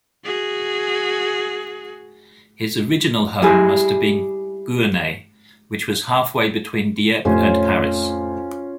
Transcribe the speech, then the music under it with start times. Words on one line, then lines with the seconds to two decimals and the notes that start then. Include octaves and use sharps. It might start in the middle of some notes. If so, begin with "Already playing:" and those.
His original home must have been Gournay, which was half-way between Dieppe and Paris.
0.24 F#4 G#4
3.42 G3 E4 G#4
7.25 F2 A2 C3 C#4 F4